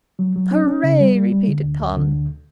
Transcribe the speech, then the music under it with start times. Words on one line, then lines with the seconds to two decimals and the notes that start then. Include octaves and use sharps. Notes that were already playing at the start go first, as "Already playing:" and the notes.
"Hooray!" repeated Tom.
0.19 F#3
0.35 F#3
0.51 C#4
0.68 C#4
0.83 C#3
1.00 G3
1.15 G3
1.32 G3
1.47 D3
1.63 D2
1.80 D2
1.96 D3
2.12 D2